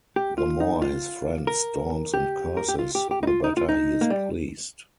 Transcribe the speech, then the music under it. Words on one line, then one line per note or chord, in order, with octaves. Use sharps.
The more his friend storms and curses, the better he is pleased.
G4
F4
D#4
F4
A#4
G4
A#4
G4
F4
G4
G4
D#4
F4
D#4
F4
D#4
A#3
G3